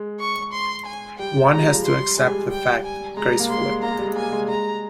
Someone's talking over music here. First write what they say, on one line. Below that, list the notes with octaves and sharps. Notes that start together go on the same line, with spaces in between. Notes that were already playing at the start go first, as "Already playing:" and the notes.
One has to accept the fact, gracefully.
Already playing: G#3
C#6
C6
G#5
G3 G5
G#3 A#5
F3
G3
G#3
G3 C6
G#3 G#5
G3
G3
G5
G#5
G#3 A#5
G3
A#3
G#3 C6
G#3
A#3 A#5
G#3
G3
G#3
A#3 G#5
G#3
G#3 A#5